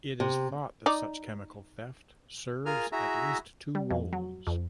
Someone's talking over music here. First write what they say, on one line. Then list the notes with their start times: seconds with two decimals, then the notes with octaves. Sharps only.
It is thought that such chemical theft serves at least two roles.
0.20 C3
0.86 D#4 D5
2.66 F4 G#4 A#4 G#5 F6
2.92 E4 F#4 G#4 E5 A#5 E6
3.75 G3
3.91 F2
4.13 F#3
4.47 F2